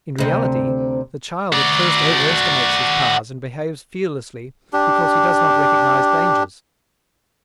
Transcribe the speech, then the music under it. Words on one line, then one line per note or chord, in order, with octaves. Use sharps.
In reality the child at first overestimates his powers and behaves fearlessly because he does not recognize dangers.
D2 C3
F#4 D5
D4 G4